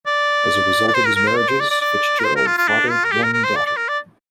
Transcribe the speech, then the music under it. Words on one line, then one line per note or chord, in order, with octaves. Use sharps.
As a result of his marriages, Fitzgerald fathered one daughter.
D5
D5
C5
A#4
A#4
C5
D5
C5
D5
D5
D5
A#4
C5
A#4
F4
F4
D4
F4
A#4
G4
A#4
A#4
C5
D5
D5
A#4
D5